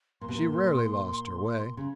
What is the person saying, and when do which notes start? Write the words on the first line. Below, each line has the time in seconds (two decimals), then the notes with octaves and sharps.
She rarely lost her way.
0.21 A#2 C6
0.28 B2
0.36 A#2
1.77 C#3